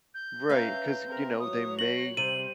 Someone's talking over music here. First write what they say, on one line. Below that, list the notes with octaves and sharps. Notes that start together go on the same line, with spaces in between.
Right, 'cause, you know, they may
G6
C#4 B4 E5 F5 A#5
C4 A#4
F#3 C#5 D#6
A#6 F#7
C3 G3 C5 D#7 F#7